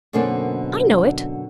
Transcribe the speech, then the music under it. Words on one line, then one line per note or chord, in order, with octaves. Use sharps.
"I know it."
F#2 B2 D3 A#3 C4 D4